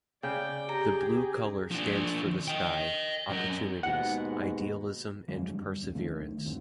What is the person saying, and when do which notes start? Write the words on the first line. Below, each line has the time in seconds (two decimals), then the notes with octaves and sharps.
The blue color stands for the sky, opportunities, idealism and perseverance.
0.23 C#3 D5 G5
0.69 G4 G#4 A#5
1.71 F3 D4
2.48 D#5 G5
3.29 F#2 A#4
3.83 D#2 G#2 B2 F#5
5.28 F2 D3 F#3 G#3
5.50 G2
5.80 E1 C#2
5.95 B1 D3 D#3 A3
6.45 C2 F2 G#2 D3